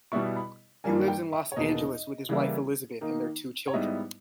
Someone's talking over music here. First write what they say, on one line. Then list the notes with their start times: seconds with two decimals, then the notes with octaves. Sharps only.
He lives in Los Angeles with his wife Elizabeth and their two children.
0.12 B2 G3 B3 E4 C#6
0.36 B5
0.84 G2 D#3 G3 A#3 G#5
1.08 G5
1.32 E5
1.52 C#5
1.56 E2 B2 A#3 D#4 D#5
2.29 C#3 E3 G3 A#3 E4
3.01 D#3 A#3 D#4
3.68 C#5
3.73 G#2 G3 B3 E4 D#5